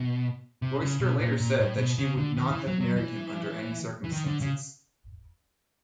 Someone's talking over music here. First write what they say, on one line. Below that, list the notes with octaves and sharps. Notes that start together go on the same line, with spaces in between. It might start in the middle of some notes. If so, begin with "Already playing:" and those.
Royster later said that she would not "have married him under any circumstances".
Already playing: B2
C3
C#3
B2
A#2
A#2
A2
B2
C#3
D3
D#3
E3
F#3
F#3
E3
E3
D#3
D3
C#3